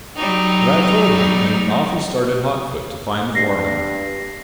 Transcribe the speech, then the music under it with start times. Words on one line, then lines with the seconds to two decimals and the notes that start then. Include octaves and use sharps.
But I told him, and off he started hot-foot to find the foreman.
0.16 F#3 G3 D#4
3.35 G2 A#6 C7